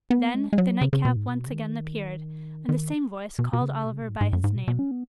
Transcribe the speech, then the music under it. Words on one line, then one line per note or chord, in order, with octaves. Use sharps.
Then, the nightcap once again appeared: and the same voice called Oliver by his name.
B3
G#3
G#3
F#3
C#3
C#3
B2
G#2
B2
C#3
D#3
D#3
B2
B2
C#3
B2
C#3
B2
G#2
G#2
F#2
G#2
B2
B2
C#4
B3